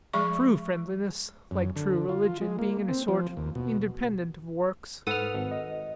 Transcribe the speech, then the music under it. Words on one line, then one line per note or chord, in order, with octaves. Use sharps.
True friendliness, like true religion, being in a sort independent of works.
F3 G#3 G#4 D5 B5 C#6
F#2
D3
F4
G#3
A#3
C4
F3
D#2
B2
G#2 A4 B4 F#5 D#6 F6
G#1
D#5